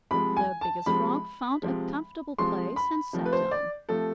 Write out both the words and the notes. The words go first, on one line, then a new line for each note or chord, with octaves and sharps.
The Biggest Frog found a comfortable place and sat down.
C3 F3 G#3 B5
G#5
A5
C3 F3 G#3 B5
C3 F3 G#3
C3 F3 G#3 C6
B5
C3 F3 A3
B4
C5
D5
C3 F3 A3 A4